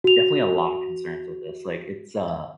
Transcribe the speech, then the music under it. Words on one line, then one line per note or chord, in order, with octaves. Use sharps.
definitely a lotta concerns with this, like, it's, uh,
F#4 F7